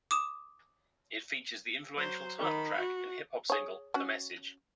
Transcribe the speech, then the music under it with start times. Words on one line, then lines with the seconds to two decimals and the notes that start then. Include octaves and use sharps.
It features the influential title track and hip-hop single "The Message".
0.11 D6 D#6 E7
1.96 F#3 C5
2.39 D#3 B5
2.78 F#4
3.50 G#4 C#5
3.94 C#4 F#4